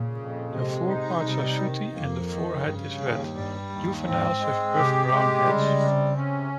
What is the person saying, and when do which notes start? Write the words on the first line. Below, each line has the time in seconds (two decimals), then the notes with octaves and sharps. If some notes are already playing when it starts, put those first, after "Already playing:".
The foreparts are sooty and the forehead is red; juveniles have buff-brown heads.
Already playing: A#2 C#3
0.16 F2
0.52 C3 G#3
0.87 D#4
1.22 C3 G3
1.58 D#3
1.92 F2 A#3
2.28 D#3
2.64 G2 C#3
2.98 D#2
3.34 G2 G3
3.70 D#2
4.04 G#2 C4
4.39 G#3
4.74 C3 G4
5.10 G#3
5.45 C#3 G3
5.80 C3
6.16 C#4